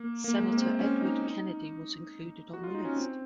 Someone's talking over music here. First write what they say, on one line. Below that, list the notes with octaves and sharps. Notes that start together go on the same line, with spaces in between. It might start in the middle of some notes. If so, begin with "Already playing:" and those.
Senator Edward Kennedy was included on the list.
Already playing: A#3
A#3
G#3
A#3
C4
C#4
D#4
D#4
F#4
F4
D#4
C#4
C4